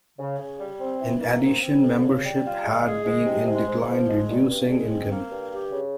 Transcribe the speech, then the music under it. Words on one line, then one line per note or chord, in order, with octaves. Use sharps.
In addition, membership had been in decline, reducing income.
C#3
C#3
G3
C4
E3
A#3
C4
C4
F2
C#3
G3
F4
G#3
G#4
G#3
C3
G#3
G#2
F3
G#3
G2
G2
G#3
C4
A#3
G2
G4
C#3